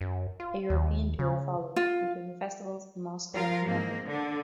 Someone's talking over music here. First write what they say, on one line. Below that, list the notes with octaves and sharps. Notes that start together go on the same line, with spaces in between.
A European tour followed, including festivals in Moscow and London.
F#2
F4
D#2
C#3
F4
F3 F4 A#4 F5
G#2 A#3 C4
D3